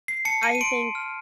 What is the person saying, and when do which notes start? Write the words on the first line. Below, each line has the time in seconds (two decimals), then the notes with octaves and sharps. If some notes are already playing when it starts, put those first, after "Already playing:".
I think,
0.08 C7
0.25 A5 C#7
0.43 D#7
0.55 D#7
0.61 C6 D7
0.95 F6